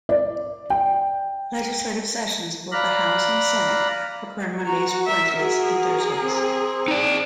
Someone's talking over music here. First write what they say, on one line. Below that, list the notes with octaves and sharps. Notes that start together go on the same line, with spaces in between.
Legislative sessions in both the House and Senate occur on Mondays, Wednesdays, and Thursdays.
D5
G5
D5 F5 A#5 B5 F#6
F#4 A#5
A#4 E5
F#4 G#4
C4
D#4 D5